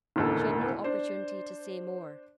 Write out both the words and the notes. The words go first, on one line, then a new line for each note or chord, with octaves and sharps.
She had no opportunity to say more.
E1 A1 D2 D#3 A#3 A4
D4 C5